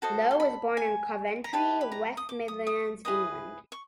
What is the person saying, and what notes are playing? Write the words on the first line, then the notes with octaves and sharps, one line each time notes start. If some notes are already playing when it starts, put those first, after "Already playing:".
Lowe was born in Coventry, West Midlands, England.
F#4 A4 C5 D#5
C6
B5
G#5
A#5
E4 G4 B4 A5
B5
A#5
D#6
D6
D#6
D#6
E4 G#4 B4 D#5 D#6
C#6